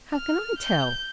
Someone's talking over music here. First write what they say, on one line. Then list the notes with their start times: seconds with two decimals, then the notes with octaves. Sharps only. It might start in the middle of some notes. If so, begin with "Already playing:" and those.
"How can I tell?"
0.12 F6
0.59 G6